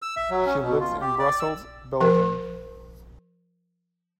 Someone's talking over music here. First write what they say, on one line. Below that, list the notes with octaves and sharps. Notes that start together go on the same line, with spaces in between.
She lives in Brussels, Belgium.
E6
E5
F#3
C#4
B2
F4
G4
D5
E6
F3 A#4